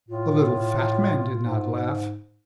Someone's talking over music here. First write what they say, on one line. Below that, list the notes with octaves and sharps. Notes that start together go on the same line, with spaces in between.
The little fat man did not laugh.
A2 F4
G#2